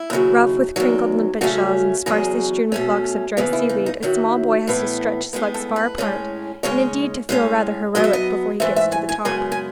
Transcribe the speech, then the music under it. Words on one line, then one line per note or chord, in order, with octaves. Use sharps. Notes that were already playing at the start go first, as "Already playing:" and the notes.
Rough with crinkled limpet shells and sparsely strewn with locks of dry seaweed, a small boy has to stretch his legs far apart, and indeed to feel rather heroic, before he gets to the top.
Already playing: E4
D#2 C#3 F#3
E2 D#3 F#3
C#3 F#3 A3 C#4 F#4
E2 C#3 F#3 G#4
B2 A3 C#4
D#2 C#3 E3 B3 E4
E4
D#4
D#4
F#2 D#3 F#3 E4
A2 E3 B3
A2 G#3 B3
A4
B4
A2 G#3 C#4
D#2 C#3 G#3 C#4 C#5
A2 G#3 C#4
B2 F#3 B3 D#5
E5
D#5
G#2 E3 A3 E5
E5
G#5
G#5
F#2 C#3 G#3 B3 G#5
G#5